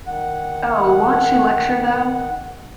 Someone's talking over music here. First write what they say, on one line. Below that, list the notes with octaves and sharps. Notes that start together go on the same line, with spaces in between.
Oh, won't she lecture though!
D#3 F#5